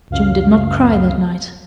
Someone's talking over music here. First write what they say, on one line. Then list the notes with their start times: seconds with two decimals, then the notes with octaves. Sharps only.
June did not cry that night.
0.10 C#2 F#2 F5